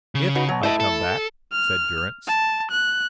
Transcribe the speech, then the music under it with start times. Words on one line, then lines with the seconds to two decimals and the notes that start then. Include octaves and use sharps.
"If I come back," said Durrance.
0.15 C#3
0.35 D#4 F#4 B4
0.49 B2 F#3
0.63 A3 E4 C5 D#5
0.80 A4
1.52 F6
2.28 A5
2.71 F#6